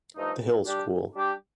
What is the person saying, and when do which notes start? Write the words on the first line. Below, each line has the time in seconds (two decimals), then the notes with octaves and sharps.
The Hill School.
0.16 G2 F3 A3 D#4
0.66 G3 D4 G4
1.15 G3 D4 G4